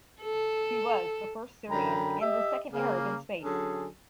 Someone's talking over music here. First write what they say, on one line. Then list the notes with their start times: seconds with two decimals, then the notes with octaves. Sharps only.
He was the first Syrian and the second Arab in space.
0.21 A4
1.69 F#2 D3 G5 A#5 B5
2.22 G4 D#5 E5
2.73 C#3 A#3
3.44 D3 F#3 C#4 G#4 A4